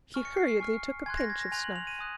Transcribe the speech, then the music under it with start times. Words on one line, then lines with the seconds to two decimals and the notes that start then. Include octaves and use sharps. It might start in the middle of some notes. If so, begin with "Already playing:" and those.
He hurriedly took a pinch of snuff.
0.14 G#5 C#6 F6
0.25 C#7
0.37 C7
0.48 C7
0.60 G#5 C#6 F6
1.06 G#5 C6 F#6 G#6
1.17 A#6
1.30 G#6
1.40 A#6
1.52 G#5 C6 F#6 F7
1.64 F#7
1.76 F7
1.87 D#7
1.99 G#5 D#6 F#6